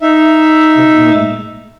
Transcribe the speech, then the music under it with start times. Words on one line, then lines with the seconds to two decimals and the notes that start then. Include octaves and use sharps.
took me
0.01 D#4 E5